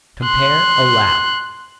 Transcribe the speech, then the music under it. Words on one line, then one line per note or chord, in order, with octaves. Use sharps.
Compare ALLOW.
C6 F#6